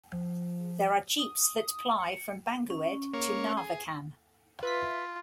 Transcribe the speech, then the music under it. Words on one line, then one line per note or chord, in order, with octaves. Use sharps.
There are jeeps that ply from Bangued to Narvacan.
F3
D#6
C#7
C#4
A#3 C#5
G#4
F4 B4 E5 B6